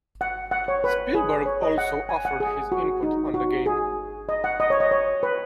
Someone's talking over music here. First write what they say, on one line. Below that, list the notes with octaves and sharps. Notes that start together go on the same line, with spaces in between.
Spielberg also offered his input on the game.
F#5
F#5
C#5
B4
G#4
C#5
D#5
F#5
G#5
F#5
G#4
F#4
D#4
F#4
G#4
D#5
F#5
D#5
C#5
D#5
C#5
B4